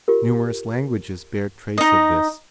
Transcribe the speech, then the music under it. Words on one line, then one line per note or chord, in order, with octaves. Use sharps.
Numerous languages bear trace of this.
F4 G4 A#4
D#4 D#5